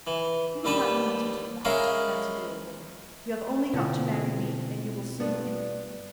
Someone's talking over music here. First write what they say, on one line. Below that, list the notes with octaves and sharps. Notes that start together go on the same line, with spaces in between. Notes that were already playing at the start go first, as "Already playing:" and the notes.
'You will not need to do that,' answered the old woman, 'you have only got to marry me, and you will soon be free.'
E3
D#2 G3 B4 A5
G#3 C#4 E4 A#4 F5
B2 D3 A3 C4 E4 F4
G2 B3 D4